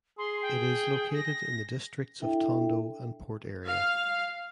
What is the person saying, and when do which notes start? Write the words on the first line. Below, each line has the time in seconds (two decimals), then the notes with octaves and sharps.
It is located in the districts of Tondo and Port Area.
0.18 G#4 C6
0.42 G5
1.14 A#6
2.20 D4 E4 A4 E5 G5
3.66 F5